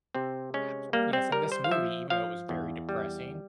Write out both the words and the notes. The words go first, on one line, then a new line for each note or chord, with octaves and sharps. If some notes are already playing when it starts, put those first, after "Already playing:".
Abs Yes, and this movie, even though it was very depressing,
C3 C4
G#3 C#4
G3 A#3
C4
G3 A#4
C5
F5
F3 E5
F3 F5
E2
G3